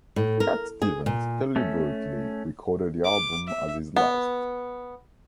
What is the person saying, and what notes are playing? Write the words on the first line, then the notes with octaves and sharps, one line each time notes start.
Cat Stevens deliberately recorded the album as his last.
A2
A#4
G#4
A#2
A3 C#4
D6
E5
B3